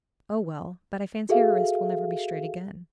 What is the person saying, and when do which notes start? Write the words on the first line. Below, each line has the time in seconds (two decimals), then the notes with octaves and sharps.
"Oh, well, but I fancy her wrist will never be straight again."
1.29 F#4 G#4 A4 E5 F5